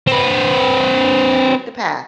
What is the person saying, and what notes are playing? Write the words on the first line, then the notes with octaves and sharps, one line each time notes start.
I took the path
C4 B4